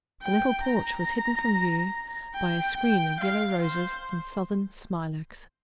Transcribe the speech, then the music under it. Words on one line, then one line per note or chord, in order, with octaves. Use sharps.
The little porch was hidden from view by a screen of yellow roses and Southern smilax.
G5
A#5
G5
G5
F5
C5